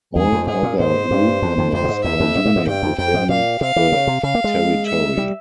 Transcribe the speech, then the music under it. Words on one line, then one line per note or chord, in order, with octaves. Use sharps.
All other route numbers are unique within the territory.
E2 G#4
F2
G#2 G#4
A#2
G#2 C5
G2
F2
F2
F2 C5
A#2
G#2
E2 E5
F2
G#2
A#2
G#2
G2 G5
F2
F2 G5
G#2
A#2 F5
C3 F5
E3
C#3
C3
C#3 F5
A#3
G#3
E5
G3